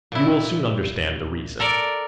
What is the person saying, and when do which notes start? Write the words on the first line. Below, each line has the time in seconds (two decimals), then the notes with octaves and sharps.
You will soon understand the reason.
0.12 A#2 E4
1.60 A4 A#4 D5